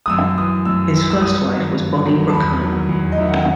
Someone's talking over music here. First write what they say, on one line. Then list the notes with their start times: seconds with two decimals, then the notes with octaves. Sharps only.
His first wife was Bonnie Bruckheimer.
0.06 D#6
0.10 F#2 E6
0.38 E3 D#6
0.65 F#2 E6
0.94 E3 E6
1.10 E6
1.22 G2 D#6
1.50 D#3 F#3
1.77 G2
2.06 D#3 F#3
2.29 A5
2.33 E2 B5
2.61 D#3 F#3
2.89 E2
3.12 D#5
3.18 D#3 F#3 E5
3.28 F#5
3.37 G5